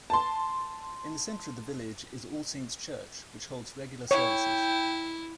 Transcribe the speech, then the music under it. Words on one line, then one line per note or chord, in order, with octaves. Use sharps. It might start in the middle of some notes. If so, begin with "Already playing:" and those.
In the centre of the village is All Saints church which holds regular services.
A5 C6
E4 C#5 G5